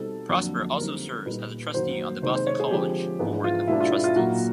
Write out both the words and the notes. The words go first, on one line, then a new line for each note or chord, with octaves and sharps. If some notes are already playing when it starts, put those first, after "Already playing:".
Prosper also serves as a trustee on the Boston College Board of Trustees.
Already playing: B2 G3 C4 D#4 A4
F2 D3 F#3 A#3 D4
D3 G3 C4 D#4 A#4
A#2 G3 B3 D#4 B4
F#2 D#3 F#3 A#3 C5
C3 D#3 G#3 C4 D#4 C5
C5
C#5
G#4
D3 F3 G#3 C4 G4
G#2 E3 G#3 B3 D4
F4
B2 G#3 B3 D4 E4
F4
E4
F4
A#2 F#3 A#3 D#4 F#4